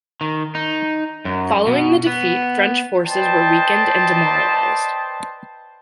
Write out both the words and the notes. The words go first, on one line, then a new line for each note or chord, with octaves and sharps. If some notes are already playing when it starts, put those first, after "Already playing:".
Following the defeat, French forces were weakened and demoralized.
D#3
D#4
F#2
B2
B3
B4 C5 D5 D#5 G5 A5